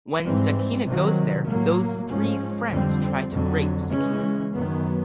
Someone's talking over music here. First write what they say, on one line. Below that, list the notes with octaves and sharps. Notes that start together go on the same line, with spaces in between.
When Sakina goes there those three friends try to rape Sakina.
G#2 E3 G3 C4
C3 D#3 F#3
A2 F#3 A#3
G#2 F3 G#3 C#4
F2 D3 G3 C4
F2 D3 F#3
C#3 E3 G#3 C#4
F#2 D#3 F#3 B3